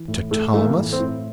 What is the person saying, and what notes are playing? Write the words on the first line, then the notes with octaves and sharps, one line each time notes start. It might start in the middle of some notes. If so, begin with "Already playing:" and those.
To Thomas!
Already playing: E3
A2
A2 A3
E3 A3
A#3
A2
C4
A2